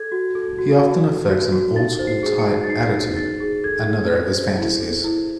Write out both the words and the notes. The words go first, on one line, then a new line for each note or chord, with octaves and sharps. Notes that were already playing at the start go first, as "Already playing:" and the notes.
He often affects an 'old school tie' attitude- another of his fantasies.
Already playing: A4 G#6
F#4
A4
F#4
F#4
A4
F#4
F#4
D#4 A6
C5
C7
G#4
C#7
D#4
A6
D#4 C7
D#4
D#4 A6
G#4
A4 G#6
A4
A4
C5
E4
A4
E4